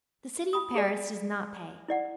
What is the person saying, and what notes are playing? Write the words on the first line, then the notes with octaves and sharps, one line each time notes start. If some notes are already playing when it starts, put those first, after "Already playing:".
The city of Paris does not pay.
B5 D#6
G#4 D5
E4 D5 F#5